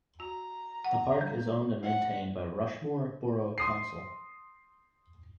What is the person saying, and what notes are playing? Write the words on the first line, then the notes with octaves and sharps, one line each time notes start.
The park is owned and maintained by Rushmoor Borough Council.
F#4 A#5
F#5
G3
F#5
C6 D#6 C7